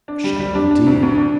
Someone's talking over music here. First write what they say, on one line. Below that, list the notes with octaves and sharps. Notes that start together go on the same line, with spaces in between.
A shadow indeed!
D4
G3
G3
D4
D4
D2
D2
D4